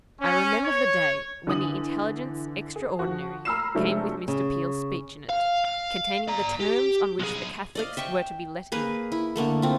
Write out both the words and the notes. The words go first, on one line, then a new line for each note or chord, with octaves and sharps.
I remember the day when the Intelligence Extraordinary came with Mr. Peel's speech in it, containing the terms on which the Catholics were to be let in!
C#4
C#5
D3 E3 D#6 F#7
G#4
F3 F#4
A#5 B5 E6 F6 C7 E7
C3 F3 F#3 G#3 A3 D4
C#3
F5
F5
D5 A#5
G4
B1 G#4
D5 D#5 F5
E5 G5 C#6
A#3 G#4 B4
E4
D3 A3 A#3 A4
C4 F4